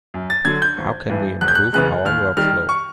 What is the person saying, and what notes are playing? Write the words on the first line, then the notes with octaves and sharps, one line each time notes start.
How can we improve our workflow?
F#2
A6
D3 F#3 G#6
G6
G#1
G2 E3
F1 F#6
G6
F#6
E2 C#3 E3 G#3 F#6
D#2 F6
D#3 G3 F6
C#6